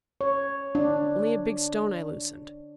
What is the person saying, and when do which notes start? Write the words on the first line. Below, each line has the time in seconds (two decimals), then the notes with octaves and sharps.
Only a big stone I loosened.
0.21 C#5
0.75 D4